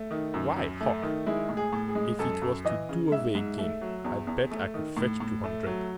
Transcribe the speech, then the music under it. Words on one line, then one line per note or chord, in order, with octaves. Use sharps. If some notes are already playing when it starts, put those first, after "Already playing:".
Why, Huck, if it was to do over again, I bet I could fetch two hundred!
Already playing: A3
D#3
F#2
F#2
A3
D#3
G#3 E4
A2
G#4
A2
G#4
G#3
F#2 A4
F#2
E3 D#5
C#3
G#2 E5
G#2
A3
F#3
E2
E2
A3
D#3
A2
A2
A3
F#3